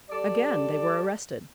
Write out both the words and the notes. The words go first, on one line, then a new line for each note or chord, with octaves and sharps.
Again they were arrested.
G3 A4 D5